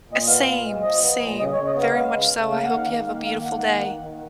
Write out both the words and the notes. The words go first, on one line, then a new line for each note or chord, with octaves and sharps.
Uh, same. Same. Very much so. I hope you have a beautiful day.
A#2 D#5
B3 F5
A#2
G#3
F3 D#5
B3
A#2
C#3 D#5
C#5
C#3
D#5
B3
F5
G#3 F5
C#3
C#3
A#3 F5
F#5
D#3
F5
D#3
A#3 F5
A#3 F5
D#3 F#5
A#3 F#5
D#3
D#3